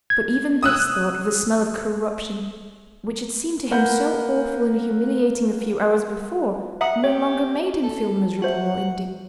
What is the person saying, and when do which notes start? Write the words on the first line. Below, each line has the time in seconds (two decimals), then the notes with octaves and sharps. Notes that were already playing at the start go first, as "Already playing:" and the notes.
But even this thought of the smell of corruption, which had seemed to him so awful and humiliating a few hours before, no longer made him feel miserable or indignant.
0.10 G#6
0.63 D#6 E6 F#6
3.71 A#3 B4 F#5 G6
6.81 E5 F#5 A#5 D#6
7.04 G4 C#5
7.83 A4
8.42 F#4 C5 E5 F#5